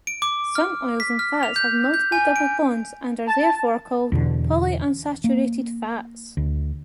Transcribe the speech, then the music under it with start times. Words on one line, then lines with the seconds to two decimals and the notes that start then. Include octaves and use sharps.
Some oils and fats have multiple double bonds and are therefore called polyunsaturated fats.
0.07 D7
0.22 D6
0.55 F6
1.00 B6
1.19 F6
1.43 F7
1.56 G6
1.94 G6
2.12 G#5
2.36 D7
3.27 A5
4.12 E2 B2 D3
5.24 A#3
6.37 D2